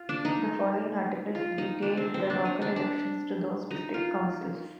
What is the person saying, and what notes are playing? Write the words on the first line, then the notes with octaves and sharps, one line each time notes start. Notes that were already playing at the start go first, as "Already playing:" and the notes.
The following articles detail the local elections to those district councils.
Already playing: F4
D4
D#4
F4
D#4
D4
C4
C4
D4
D#4
D4
D4
D#4
F4